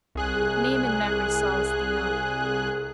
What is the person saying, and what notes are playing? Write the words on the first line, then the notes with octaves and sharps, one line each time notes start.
Name and memory solace thee not.
C2 G#4 F#6